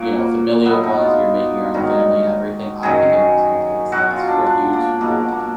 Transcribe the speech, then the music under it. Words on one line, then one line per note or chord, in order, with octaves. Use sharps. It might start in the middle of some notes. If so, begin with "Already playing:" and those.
you know, familial ones, you're making your own family and everything, I think it makes complete sense for you to
Already playing: A#2 F#3 A#3
B2 F#3 B3
D#4
F4
G#2 D#3 F#3 A#4
F#2 D#3 F#3 G#4
B2 F#3 F#4
F4
D4
D4
A#3
B2 F#3 A#3
A#3